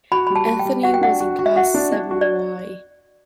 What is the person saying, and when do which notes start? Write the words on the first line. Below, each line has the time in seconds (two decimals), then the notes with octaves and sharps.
Anthony was in class seven Y.
0.12 F#4 B5
0.27 G3 B5
0.36 A5
0.47 G3 A5
0.59 G5
0.65 G3
0.83 F#4 F#5
0.94 G5
1.01 D4 F#5
1.20 F#4
1.39 F#4
1.46 E5
1.56 F#4 F#5
1.74 D4
1.92 D4 D5
2.11 F#4
2.21 D5